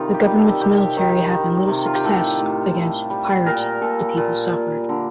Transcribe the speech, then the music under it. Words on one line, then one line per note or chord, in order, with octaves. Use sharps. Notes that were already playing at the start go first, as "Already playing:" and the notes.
The government's military having little success against the pirates, the people suffered.
Already playing: C3 D#3 G3 D#4 F4
G4
G3
A4
C3 G4
D#3
D#3
C3
F4
G4
A2 A4
A2
G3
G3
A#2 A#4
A#2 A4
A#2
A#2
D3 A#3